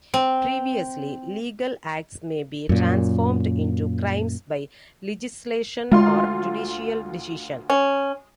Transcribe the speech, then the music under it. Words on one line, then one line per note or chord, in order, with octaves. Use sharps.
Previously legal acts may be transformed into crimes by legislation or judicial decision.
C4
F#2 A#2
D2 G#3 F4 C6
C#4